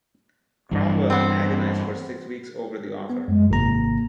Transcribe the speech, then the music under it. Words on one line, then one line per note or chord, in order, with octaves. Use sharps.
Cromwell agonised for six weeks over the offer.
G2 E3
B3 C4
B3
F#2 G#3
G#1 C3 A#3 A#5